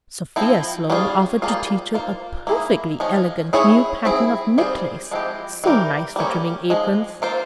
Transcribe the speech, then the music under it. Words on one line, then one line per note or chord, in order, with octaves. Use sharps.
Sophia Sloane offered to teach her a perfectly elegant new pattern of knit lace, so nice for trimming aprons.
F3 C4 E4
G3 C#4 F4 G#4
G3 A#3 C#4 F4 G#4
A#3 F4 C5
A#3 E4 G#4
F3 G#3 C#4
C#4 E4 G#4 C#5
C4 E4 G#4
G3 C4 F4 G#4 C5
F3 G#3 C4 E4 G4
E3 G3 C4 G4 A#4
G3 A#3 C#4
F3 G#3
A#3 F4 C5